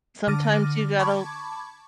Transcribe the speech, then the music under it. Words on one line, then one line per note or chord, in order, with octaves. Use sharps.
Sometimes you gotta
D3 D6 F6 A6 A#6 D#7
A5 B5 C#6 D6 G#6